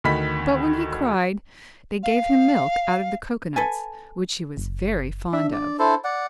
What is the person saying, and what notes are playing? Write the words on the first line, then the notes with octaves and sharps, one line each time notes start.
But when he cried they gave him milk out of the cocoanuts which he was very fond of.
D2 D#3 D#4 B5 B6
F5
A4 B4 G#5
F#1
D4 E5
D5
E4 A4 C5
D5 F#5